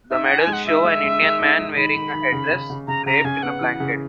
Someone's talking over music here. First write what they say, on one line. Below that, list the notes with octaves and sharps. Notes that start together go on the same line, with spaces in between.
The medals show an Indian man wearing a headdress, draped in a blanket.
D#4 E5
F#5
D#4
G#5
G#3
F#5
D#4 E5
G#3
G#3
G#3
D#4
G#3
D#3 B5
D#3
D#3
C#3
C#3
C#3
C#3 A#5
C#3 A#5
C#3 G#5
B3 F#5
E3
C#3